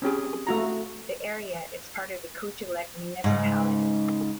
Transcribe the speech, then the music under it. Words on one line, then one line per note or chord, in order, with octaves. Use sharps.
The area is part of the Kujalleq municipality.
C4 C#4 G4 G#4
A3 F#4 A#5
G#2 C#3